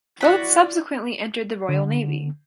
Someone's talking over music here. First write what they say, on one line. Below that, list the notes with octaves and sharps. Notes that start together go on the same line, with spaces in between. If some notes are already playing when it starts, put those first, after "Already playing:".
Both subsequently entered the Royal Navy.
E4 F#4 D5 F#5 B5
D3